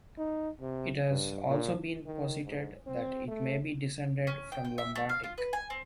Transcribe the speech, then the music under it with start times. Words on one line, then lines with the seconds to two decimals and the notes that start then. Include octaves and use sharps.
It has also been posited that it may be descended from Lombardic.
0.18 D#4
0.60 C3
1.11 G2
1.47 A#2
2.06 D#3
2.45 G#2
2.86 C4
3.28 A3
4.27 C#4
4.52 G5
4.65 G5
4.78 E5
4.95 A3
5.09 F5
5.24 F4
5.38 B4
5.53 G#5
5.70 C4